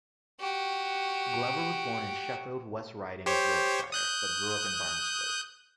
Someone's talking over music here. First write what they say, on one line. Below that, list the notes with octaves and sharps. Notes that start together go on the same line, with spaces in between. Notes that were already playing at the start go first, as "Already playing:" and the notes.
Glover was born in Sheffield, West Riding of Yorkshire, but grew up in Barnsley.
F#4 G4
G4 C5 C#5
D#6 F#6 G6